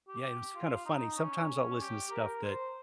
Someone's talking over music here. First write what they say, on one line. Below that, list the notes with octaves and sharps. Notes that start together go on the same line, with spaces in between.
Yeah. It was kinda funny. Sometimes I'll listen to stuff that,
G4
F4
D#4
C#4
C#4
G4
A#4
C5